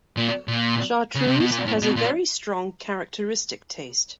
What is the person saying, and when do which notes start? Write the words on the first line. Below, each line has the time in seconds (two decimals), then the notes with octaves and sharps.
Chartreuse has a very strong characteristic taste.
0.17 A#2
0.48 A#2
1.15 C#3
1.27 C3
1.40 B2
1.52 A#2
1.67 A2
1.82 B2
1.96 A#2